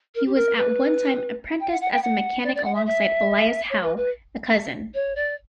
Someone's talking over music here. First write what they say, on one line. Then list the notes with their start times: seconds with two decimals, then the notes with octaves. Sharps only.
He was at one time apprenticed as a mechanic alongside Elias Howe, a cousin.
0.15 A#4
0.26 G4
0.35 A#4
0.56 B4
1.60 G5
1.71 F#5
1.81 F#5
1.92 G5
2.02 F#5
2.44 D5
2.55 D5
2.64 F#5
2.75 E5
2.86 E5
3.70 C#5
3.83 B4
3.97 B4
4.94 C#5
5.15 D5